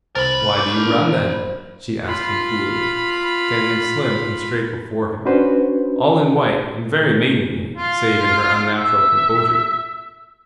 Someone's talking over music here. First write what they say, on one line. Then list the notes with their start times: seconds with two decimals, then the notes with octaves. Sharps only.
"Why do you run, then?" she asked him coolly, standing slim and straight before him, all in white and very maidenly save in her unnatural composure.
0.15 C2 A#4 C5 B5 A6
0.56 C#6 D6 G6
0.86 A#3 D4
1.12 C5
2.05 F4 B5
5.25 C#4 D4 F#4 B4 C5
7.77 F4
8.78 E5